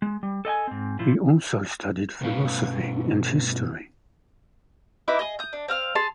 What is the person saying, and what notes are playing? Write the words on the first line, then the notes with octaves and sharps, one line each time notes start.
He also studied philosophy and history.
G#3
G3
A4 D#5 G5 G#5
G#2 C4
A#2 F3 E4 F4
G2 B2 A3 C#4 B4 F5
D#4 E4 B4 D6
G#4 D#5
D#6 G6
D4
C4 F5 F6
G#4 A4 A5 C6